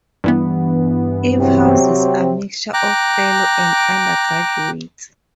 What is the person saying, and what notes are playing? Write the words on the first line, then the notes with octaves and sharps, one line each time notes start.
It houses a mixture of fellows and undergraduates.
G2 E3 B3
C3 F#3 C4
G5 A#5 D6 F#6